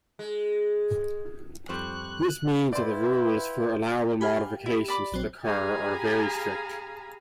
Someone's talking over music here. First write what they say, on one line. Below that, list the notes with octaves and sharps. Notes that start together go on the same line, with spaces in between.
This means that the rules for allowable modifications to the car are very strict.
G#3
F2 G3 C5 C#6 F#6
E4 F4 B4 D5 G5 C6
G4 F5 G#5 B5
E4
D5 B5 D6
A#1 F#3 C4
G4 G#4 F5 G#5 A#5 B5